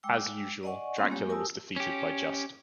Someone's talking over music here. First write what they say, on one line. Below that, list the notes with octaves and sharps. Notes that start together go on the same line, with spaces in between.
As usual, Dracula was defeated by Juste.
G#3 G5 D6 E6
D5 D#5 F#5 G#5 C#6
G3 A#3 B3 C#4 F4 C6
G#3 A#3 G4 C#5
G4 A#4 G#5 A5 D#6 E6
C#4 G4